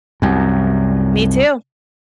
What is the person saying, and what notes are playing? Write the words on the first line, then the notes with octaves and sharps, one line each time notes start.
Me too.
C2 F#2